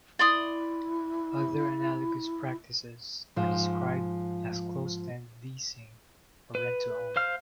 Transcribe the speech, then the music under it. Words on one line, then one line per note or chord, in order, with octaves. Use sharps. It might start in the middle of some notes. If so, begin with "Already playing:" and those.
Other analogous practices are described as closed-end leasing or rent to own.
E4 D5 C6 D#6
G#2 F3
B4
C5 F5 F6